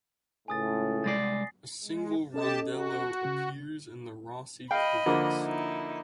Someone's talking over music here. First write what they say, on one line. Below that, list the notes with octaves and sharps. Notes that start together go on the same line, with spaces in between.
A single rondello appears in the Rossi Codex.
C#2 A2 G#5 D#6 A6
C2 G#3 D5 A6 A#6 C7
G#3
C#4 G4 A4 D#5 A5
F#4
C#3
D#5 F5 G5 B5
D3 F3 A#3
D#4 E4